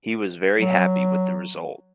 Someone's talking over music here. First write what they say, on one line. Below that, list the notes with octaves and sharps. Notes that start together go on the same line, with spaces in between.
He was very happy with the result.
F#3